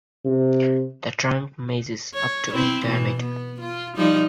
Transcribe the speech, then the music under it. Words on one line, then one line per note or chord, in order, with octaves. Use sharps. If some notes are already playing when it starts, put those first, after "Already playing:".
The trunk measures up to in diameter.
C3
C#5
C4 E4
B2 E3
B3
F4
F3 G3 D#4